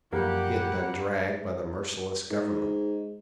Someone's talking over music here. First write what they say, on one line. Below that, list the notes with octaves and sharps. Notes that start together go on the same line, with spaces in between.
He had been dragged by the merciless government.
F#2 F3 G3 A#3 G4 F#5
G#2